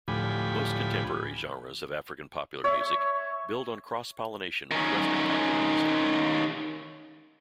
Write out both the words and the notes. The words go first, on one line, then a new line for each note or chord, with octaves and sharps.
Most contemporary genres of African popular music build on cross-pollination with western popular music.
D2 A2 F3 G4 G#5 B5
C#5 E5
D#3 C#4